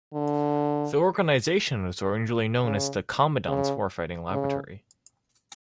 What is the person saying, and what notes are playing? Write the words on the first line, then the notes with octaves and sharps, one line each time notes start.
The organization was originally known as the Commandant's Warfighting Laboratory.
D3
C#3
C#3
C#3